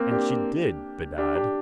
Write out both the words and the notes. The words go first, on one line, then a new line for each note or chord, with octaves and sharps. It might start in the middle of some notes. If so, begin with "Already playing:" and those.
And she did bedad.
Already playing: A#3 C4
D4 G4
D4 G4
D4 G4